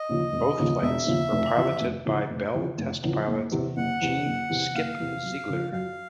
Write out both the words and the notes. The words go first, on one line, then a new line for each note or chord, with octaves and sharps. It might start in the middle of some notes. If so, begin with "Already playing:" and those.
Both flights were piloted by Bell test pilot Jean "Skip" Ziegler.
Already playing: D#5
D#2 C#3 F3
E1
D#2 C#3 F3
E1 E5
D#2 C#3 F3
F1
E2 C#3 F3
F1
E2 C#3 F3
F1
E2 C#3 F3
F1
E2 C#3 F3
F#1
E2 C3
F#1 F#5
E2 C3
F#1
E2 C3
F#1 F5
E2 C3
F#2
C#3 F3
F#2 F5